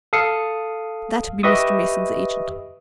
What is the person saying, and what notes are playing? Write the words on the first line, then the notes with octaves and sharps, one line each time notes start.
That be Mr. Mason's agent.
A4 F5 D#6 C7 C#7
G4 B4 D#5 E5 C#6 D#6